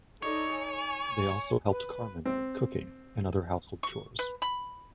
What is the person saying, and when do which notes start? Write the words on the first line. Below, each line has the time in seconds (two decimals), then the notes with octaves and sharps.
They also helped Carmen with cooking and other household chores.
0.22 D#4 A4 C#5 D5
0.54 G#5
1.70 B4
2.25 C4
3.83 C#6
4.19 B4
4.42 B5